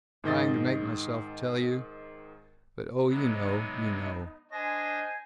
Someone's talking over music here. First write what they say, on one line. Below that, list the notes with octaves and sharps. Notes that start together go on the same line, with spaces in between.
Trying to make myself tell you--but oh, you know, you know!
G#2 D#3 D#5 A6
C3 F#3 G#3 B3 D#4
D4 C5 D#5 G#5 A#6